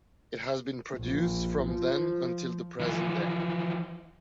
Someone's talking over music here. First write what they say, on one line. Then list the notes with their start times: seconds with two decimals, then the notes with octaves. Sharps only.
It has been produced from then until the present day.
0.98 A#1
1.64 F3
2.80 E3 F3